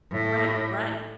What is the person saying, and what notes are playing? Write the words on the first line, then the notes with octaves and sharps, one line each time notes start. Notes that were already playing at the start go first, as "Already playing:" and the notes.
Right, right.
A2